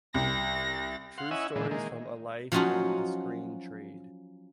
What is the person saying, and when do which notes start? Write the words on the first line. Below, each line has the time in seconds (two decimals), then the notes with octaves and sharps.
True Stories From A Life in the Screen Trade.
0.14 C2 A#6
1.18 F5 F#5 C6
1.31 C#4 E4 D#5 E5 F#5 G#5
1.55 A#2 D3 E3 G#3
1.71 D#3 G#3 A#3
2.52 F3 F#3 C#4 D#4 F4 F#4